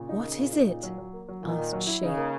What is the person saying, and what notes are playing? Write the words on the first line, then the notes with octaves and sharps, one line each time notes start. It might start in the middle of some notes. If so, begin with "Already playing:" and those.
'What is it?' asked she.
Already playing: A#2 C#3
D#4
A#3
A#2
D#4
A#2
F#3
F#3
A#3
F#3
A#2 D#3
A#2
F#3
E4
C#3 D#4
A#3